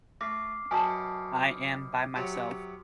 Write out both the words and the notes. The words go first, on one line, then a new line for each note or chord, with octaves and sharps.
I am by myself.
A3 E5 D6 F6 C7
F#2 B2 G#5 A5 D#6 F6
C3 F#3 C#5